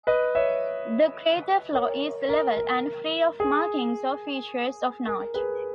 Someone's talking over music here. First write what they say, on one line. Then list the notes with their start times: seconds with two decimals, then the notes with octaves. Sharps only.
The crater floor is level and free of markings or features of note.
0.07 B4 D#5
0.35 C#5 E5
1.73 A#4 C#5
2.29 A#4
2.57 A#4
3.40 G#4
5.07 A#4
5.34 G#4 B4